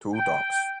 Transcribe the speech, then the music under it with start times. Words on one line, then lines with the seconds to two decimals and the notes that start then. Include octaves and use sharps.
Two dogs.
0.14 G5